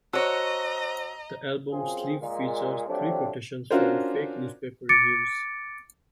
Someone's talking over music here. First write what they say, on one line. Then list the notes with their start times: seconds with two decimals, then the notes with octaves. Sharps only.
The album sleeve features three quotations from fake newspaper reviews.
0.13 F#4 C5 C#5 D#5 A5 A#5 E6
1.70 F#2 C4 F4 G#4
2.20 A#2 G#3
2.87 F3 F#3 A3 C4 D4 G4
3.71 C#4 D4 F4 F#4 A#4 C5
4.89 D6 A6 C#7 D7